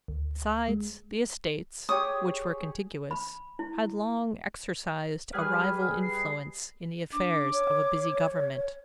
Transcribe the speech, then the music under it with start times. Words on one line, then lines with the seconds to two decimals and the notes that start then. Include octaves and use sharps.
Besides, the estates, which were contiguous, had long exercised a rival influence in the affairs of a busy government.
0.08 D2
0.68 G#3
1.89 G4 G#4 C#5 D#6
3.11 B5
3.59 E4
5.33 G3 G#4 B4 F6
6.03 C7
7.13 D4 D6
7.51 C#5